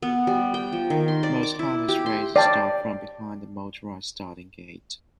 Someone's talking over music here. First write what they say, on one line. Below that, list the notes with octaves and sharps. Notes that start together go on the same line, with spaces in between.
Most harness races start from behind a motorized starting gate.
B3
G3
G5
F3
D#3
C6
D5
D6
E4
G4
C6
D5 G5 A5